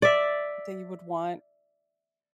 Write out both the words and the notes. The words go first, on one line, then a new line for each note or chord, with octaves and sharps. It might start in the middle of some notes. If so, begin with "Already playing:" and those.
that you would want?
D5 E5